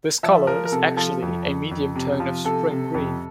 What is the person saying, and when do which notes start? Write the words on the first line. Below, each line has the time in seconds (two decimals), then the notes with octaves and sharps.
This color is actually a medium tone of "spring green".
0.23 F3 E5
0.47 F3 A#4
0.65 A#4
0.72 C3 A4
0.97 F3 A4
1.22 F2
1.46 F2
1.71 F2
1.96 C3
2.20 F3
2.44 C3 A4
2.70 C3
2.94 F2